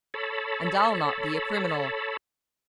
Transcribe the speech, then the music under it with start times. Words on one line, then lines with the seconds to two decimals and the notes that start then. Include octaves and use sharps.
And I'll not be a criminal.
0.14 A4 C#5 A5 B5